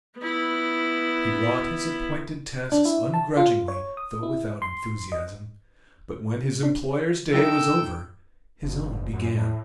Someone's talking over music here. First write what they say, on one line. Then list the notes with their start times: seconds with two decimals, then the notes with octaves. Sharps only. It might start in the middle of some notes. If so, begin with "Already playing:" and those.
He wrought his appointed tasks ungrudgingly, though without enthusiasm; but when his employer's day was over, his own began.
0.19 B3 E4
2.72 D4
2.85 E4
3.14 A5
3.37 F4
3.68 C#5
3.97 D#6
4.23 E4
4.62 C6
5.12 D#5
6.63 D4
7.33 F#3 D#4 E4 A4 A#4 G5 E6
8.63 F#1
9.13 F#2
9.35 A2